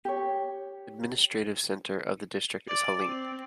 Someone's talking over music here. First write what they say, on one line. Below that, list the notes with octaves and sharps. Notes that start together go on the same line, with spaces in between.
Administrative center of the district is Hallein.
G4 C#5
D5
C4